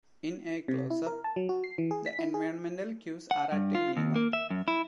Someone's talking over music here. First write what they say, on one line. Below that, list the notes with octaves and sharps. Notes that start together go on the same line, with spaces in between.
In a close up, the environmental cues are at a minimum.
C3
E4
A#4
A5
F#3
F#4
C7
E3
G#4
B6
E4
G#4
F#5
G2
F4
D#2
A#3
E5
F#2
E4